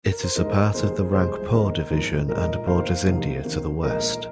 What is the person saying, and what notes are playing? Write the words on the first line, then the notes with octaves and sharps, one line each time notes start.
It is a part of the Rangpur Division and borders India to the west.
A#4
C5
G#1 G#2 G#3 A#4 D#5
F1 D#2 D#3 A#3 G#4 C5
C2 C3 F3 G#3 G#4 C5
D#2 D#3 G#3 A#4 D#5
G#1 G#2 F3 A#3
A#1 A#2 F3 G#3 A#4 D#5
F1 D#2 D#3 A#3 C5 F5
F1 F2 C3 D#3 A#3
D#2 D#3 A#3
A#1 A#2 G#3 A#4 D#5